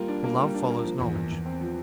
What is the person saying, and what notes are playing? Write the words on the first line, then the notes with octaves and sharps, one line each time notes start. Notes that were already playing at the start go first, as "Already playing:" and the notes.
For love follows knowledge.
Already playing: G3 A#3 F4
D4
A#3
G3
D4
A#3
F3
E2
E2
E2
C4
F3